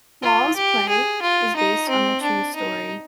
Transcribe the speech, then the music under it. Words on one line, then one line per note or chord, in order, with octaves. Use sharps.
Wall's play is based on a true story.
F4
G4
G#4
F4
D#4
C4
D4
D#4